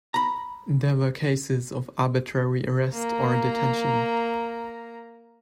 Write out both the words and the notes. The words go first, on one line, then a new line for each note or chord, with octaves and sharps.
There were cases of arbitrary arrest or detention.
A#5 B5
A#3 A#5